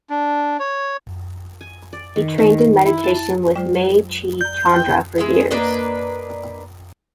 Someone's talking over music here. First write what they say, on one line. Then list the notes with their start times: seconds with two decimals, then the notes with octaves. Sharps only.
He trained in meditation with Mae chi Chandra for years.
0.10 D4
0.59 C#5
1.61 G#5
1.93 D5
2.16 D#3
2.38 D#3
2.85 E4
3.04 A5
3.55 F#3 G#3 F4 C5 G5
4.41 D5 A#5 G6
4.73 E4 G5 C6
5.18 G#3 E4 G#4
5.51 A#3 D4 B4 D#5